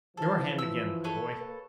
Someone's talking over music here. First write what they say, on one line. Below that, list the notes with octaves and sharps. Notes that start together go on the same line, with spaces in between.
Your hand, again my boy!
E3 F3 A4 F5
E6
A4 B4 C#5
A#3